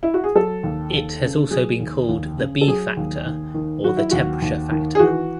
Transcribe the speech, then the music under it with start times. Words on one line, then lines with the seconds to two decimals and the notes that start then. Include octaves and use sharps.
It has also been called the B factor or the temperature factor.
0.03 E4
0.14 F#4
0.24 G#4
0.35 F#3 A4
0.63 D#2
0.93 D#2
1.22 C#3
1.51 F#3 G#4
1.80 D#2
2.09 D#2
2.38 C#3
2.61 A4
2.67 F#3 G#4
2.97 D#2
3.26 D#2
3.54 D#3
3.84 F#3 F#4
3.97 E4
4.11 D#2 F#4
4.42 D#2
4.71 D#3
4.95 G#4
4.99 E3 F#4